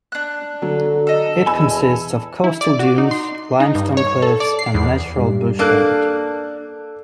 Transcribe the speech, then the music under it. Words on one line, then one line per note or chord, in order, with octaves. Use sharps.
It consists of coastal dunes, limestone cliffs, and natural bushland.
D4 F#6
D3 F#3
A4 D#5
E2 G#5 B5 E6
E4
D5
F#4
D#4
C6
D#4
G2
C#5
A4
D5
C7
E2
G2
A#3 D4 A4 E6 F#6